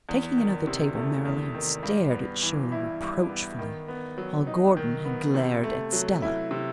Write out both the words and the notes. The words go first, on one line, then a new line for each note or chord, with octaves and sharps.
Taking another table, Marilyn had stared at Shirley reproachfully while Gordon had glared at Stella.
E2
D#3
C3
A3
E2
D#3
G2
B3
E3
E4
G2
B3
D#3
B3
F#3
D#4
D#3
B3
C3
A3
F#3
E4
C3